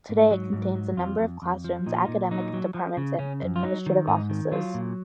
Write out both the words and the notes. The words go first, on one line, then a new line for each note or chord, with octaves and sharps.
Today, it contains a number of classrooms, academic departments, and administrative offices.
G#2
F#3
G#2
F#3
F2 F4
F2
F2
F3
A#2 D#4
F4
A#2 D#4
F#3 D#4
F#3
F3
C#3
C#3 C#4
F#2
F4
F#3 D#4
D#3
G#2 D#4
D#3
F#3 F4
A#2